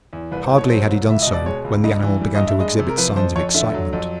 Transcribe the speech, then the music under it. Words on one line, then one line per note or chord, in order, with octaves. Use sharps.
Hardly had he done so when the animal began to exhibit signs of excitement.
E2
C2 B4
C5
B2
C#5
F#3 C5
C2
C#2 E5
B2 D#5
D5
G#3 C#5
C#2
G2 D#5
E3
G3
D#5
G2
E5
G#3 D#5
C3
A#4
F3 B4
F2 C5
F2 C#5
D3 E5
F#3
F2